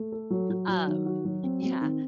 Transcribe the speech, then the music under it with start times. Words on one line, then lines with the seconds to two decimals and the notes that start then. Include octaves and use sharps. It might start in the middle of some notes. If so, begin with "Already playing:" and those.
Um, yeah.
Already playing: A3
0.12 A4
0.30 F#3
0.50 F#3
0.68 F#3
0.87 D#3
1.06 F#4
1.25 F#3
1.43 C4
1.62 C4
1.81 D#3